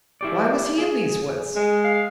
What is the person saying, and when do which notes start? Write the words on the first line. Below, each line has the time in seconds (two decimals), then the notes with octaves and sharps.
Why was he in these woods?
0.21 E4 G4 D5
0.78 G#4
1.56 G#3
1.84 F5